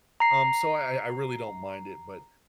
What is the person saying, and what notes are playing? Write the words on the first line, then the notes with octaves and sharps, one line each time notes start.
um, so I I I really don't mind it, but
A#5 C7